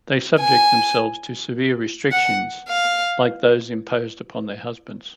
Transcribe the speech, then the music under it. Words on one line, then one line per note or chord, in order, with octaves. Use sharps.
They subject themselves to severe restrictions like those imposed upon their husbands.
G#5
F#5
F5